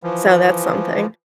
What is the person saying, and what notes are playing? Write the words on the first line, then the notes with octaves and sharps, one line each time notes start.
So, that's something.
E3 F3